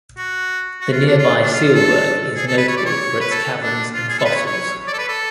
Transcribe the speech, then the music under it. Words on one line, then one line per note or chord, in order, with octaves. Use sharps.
The nearby Sielberg is notable for its caverns and fossils.
F#4
F#4
F4
D4
F4
D4
F4
F4
A4
G#4
A4
B4
C#5
D5
C#5
B4
A4
D4
F4
G#4
A4
B4
C#5
C#5
D5
A4
B4
A4